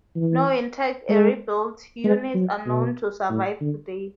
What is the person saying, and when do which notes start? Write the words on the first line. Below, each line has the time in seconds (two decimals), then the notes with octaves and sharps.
No intact Erie-built units are known to survive today.
0.16 E3
1.09 G#3
2.04 G#3
2.35 F#3
2.66 B2
3.29 A2
3.61 D3